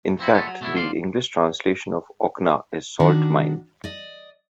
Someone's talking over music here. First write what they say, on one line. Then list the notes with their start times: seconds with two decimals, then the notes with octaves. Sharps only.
In fact the English translation of Ocna is salt mine.
0.19 F3 C4 E4 F#4
0.34 A#2 D#3 G#3 A3 B3 A4
0.47 F#3
0.61 B2 A3 B3 D4 E4
0.76 D2 F3 D5 F5 C6
3.00 D#3 D4 F#4
3.84 D5 D#5